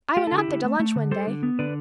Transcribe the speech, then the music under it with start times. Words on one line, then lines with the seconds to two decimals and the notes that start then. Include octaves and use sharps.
I went out there to lunch one day.
0.17 A3 G4
0.27 D3 A4
0.37 E4 G4
0.48 D3
0.64 A3
0.80 A3
0.96 D3
1.11 G3 A4 C5
1.27 D3
1.43 B3
1.59 D3 B4 D5